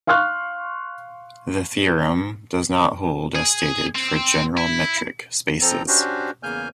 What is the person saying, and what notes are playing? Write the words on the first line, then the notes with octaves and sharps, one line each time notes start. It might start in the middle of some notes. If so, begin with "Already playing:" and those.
The theorem does not hold as stated for general metric spaces.
F5 C6 C#6 F6 F#6
G#4
C4
E4
F2 F3 C4 A4 A#5
C#4 D4 F#4 G4 C5
E2 C#3 A#3 G#5 F6 G6